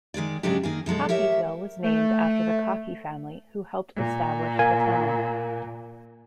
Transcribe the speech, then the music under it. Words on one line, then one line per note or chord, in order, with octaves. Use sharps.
Cockeysville was named after the Cockey family who helped establish the town.
D#3 G#3 G#4 D5
G#2 C#3 F#3 G#3 D4 G4
D#3 A#3 G#4
B2 F#3 G#3 A4
G4 A#4 C#5 E5
A3
A#2
A#4 F5 G#5